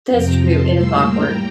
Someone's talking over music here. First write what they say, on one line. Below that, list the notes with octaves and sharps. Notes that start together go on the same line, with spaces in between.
That's true, it is awkward.
F2 C3 F3 G5 A#5
A5 C6
A2 G3 A#3 C6 E6
G5 A#5